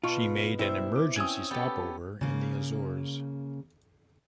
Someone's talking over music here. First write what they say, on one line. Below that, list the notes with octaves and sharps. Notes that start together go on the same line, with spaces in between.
She made an emergency stop-over in the Azores.
B2 F4 A5 C#6
G3 E4 C5 E5
D6
C4 C#4 D#6 E6 G#6
B3 G4 A4
C#3 A#3